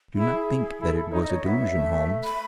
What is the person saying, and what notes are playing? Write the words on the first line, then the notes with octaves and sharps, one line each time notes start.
Do not think that it was a delusion, Holmes.
E4 G#4
E4 A4
D#4 C#5
D#5
C#5
B3 E5
A3
B5